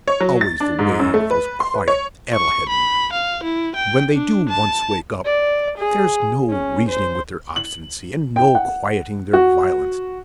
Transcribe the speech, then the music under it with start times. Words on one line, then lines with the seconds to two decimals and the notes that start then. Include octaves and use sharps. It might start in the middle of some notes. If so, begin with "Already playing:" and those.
It's always the way with those quiet addle-headed men: when they do once wake up, there's no reasoning with their obstinacy, and no quieting their violence.
0.08 C#5
0.20 F#3
0.41 A6
0.60 D4
0.79 G#2
0.99 F#2
1.14 A3
1.31 B4
1.60 C6
1.74 B4
1.88 C#5
2.34 C#6
2.69 B5
3.13 F5
3.44 E4
3.76 G5
4.15 D4
4.49 A5
5.25 D5
5.78 G#4
6.50 C#4
6.89 C5
7.56 F#7
8.36 G5
8.55 F#5
9.33 F#4